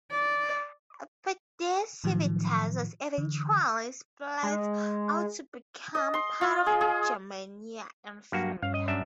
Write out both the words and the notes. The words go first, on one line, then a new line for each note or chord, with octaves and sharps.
But this civitas was eventually split out to become part of Germania Inferior.
D5
A2 D#3 F3 F#3
D3 E3
G#3
D#5
C6
F4
G#4
G#4
G2 F#3 A#3 F#4
G2 C#4 F5
D#5
F#2 D4 E5